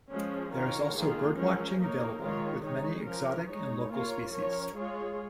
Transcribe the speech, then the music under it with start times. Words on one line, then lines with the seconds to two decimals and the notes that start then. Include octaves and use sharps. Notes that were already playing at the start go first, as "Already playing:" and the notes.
There is also bird watching available with many exotic and local species.
0.10 F3 G#3 C#4
0.53 D#3 C#4 F4 A#4 C#5
0.95 D#3 A#3 F4 G#4
1.38 F3 G#3 C#4 A#4
1.80 A#3 D#4 A#4 C#5
2.22 D#3 G#3 F4 C#5
2.65 G#3 D#4 C#5
3.07 F3 C#4 A#4
3.50 G#3 D#4 C#5
3.91 A#3 F4 A#4 C#5
4.34 F3 C#4 A#4 C#5
4.75 G#3 F4 G#4 C#5